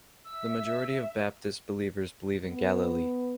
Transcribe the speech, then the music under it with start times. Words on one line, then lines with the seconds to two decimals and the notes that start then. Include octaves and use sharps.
The majority of Baptist believers live in Galilee.
0.25 E5 E6
2.47 B3